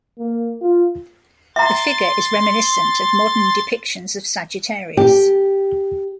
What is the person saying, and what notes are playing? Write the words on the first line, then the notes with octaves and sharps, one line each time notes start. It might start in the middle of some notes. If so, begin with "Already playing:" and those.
The figure is reminiscent of modern depictions of Sagittarius.
A#3
F4
E5 A#5 C6 A6
G4